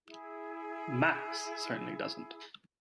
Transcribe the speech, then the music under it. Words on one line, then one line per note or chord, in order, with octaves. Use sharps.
"Max" certainly doesn't.
E4 G#4